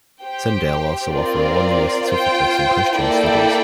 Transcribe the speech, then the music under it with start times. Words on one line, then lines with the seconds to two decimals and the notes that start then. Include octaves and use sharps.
Tyndale also offer a one-year Certificate in Christian Studies.
0.22 G4 C5 G5
1.13 C4 F4 A#4 D5
2.04 F4 C5 G5
2.95 A#3 E4 A4 D5 G5